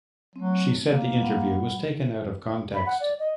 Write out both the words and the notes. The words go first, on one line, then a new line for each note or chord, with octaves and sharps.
She said the interview was taken out of context.
F#3 A3 C4
A#3
G3 F#5 B5
B5
F#5
D5
D#5